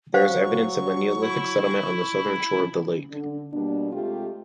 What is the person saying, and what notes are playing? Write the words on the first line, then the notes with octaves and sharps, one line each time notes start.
There is evidence of a neolithic settlement on the southern shore of the lake.
F#3 C5 F5 C#6
E4
D3
B2 G3 A#3 D4
C3 G#3 A3 F4 G4